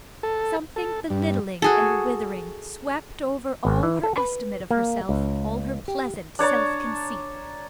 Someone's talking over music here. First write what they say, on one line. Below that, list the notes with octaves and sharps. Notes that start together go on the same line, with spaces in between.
Something belittling and withering swept over all her estimate of herself, all her pleasant self-conceit.
A4
A4
G2
F#4 G#4 A4
G#1
E3
A4
B4
A#3
C#2
G4
D4 C#5 A5 A#5